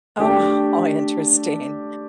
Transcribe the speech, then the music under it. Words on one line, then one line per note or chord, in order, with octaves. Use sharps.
Oh, how interesting
A3 D4 G4